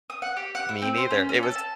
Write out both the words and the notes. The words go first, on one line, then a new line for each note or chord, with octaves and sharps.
me neither, it was
D#6
F#5
G4
F#5
E4
C4
C5
C#4
C#4
A4
A5